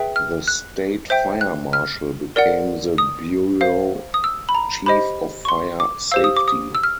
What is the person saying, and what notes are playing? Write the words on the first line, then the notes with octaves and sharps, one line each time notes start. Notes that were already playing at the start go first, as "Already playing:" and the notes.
The State Fire Marshal became the Bureau Chief of Fire Safety.
Already playing: G#4 B4 E5 G5
F6
F#6
C5 E5 G5 G6
F#6
F6
A#4 D5 F#5
D#6
C5 F5
D#6
E6
B5
A#5
G4 C5 D#5 B5
C#6
C6
D6
G4 C5 F5 E6
D#6
D6
D#6
E6
F6